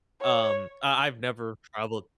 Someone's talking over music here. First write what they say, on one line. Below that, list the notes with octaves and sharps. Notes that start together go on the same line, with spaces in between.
Um, I I've never traveled
C#5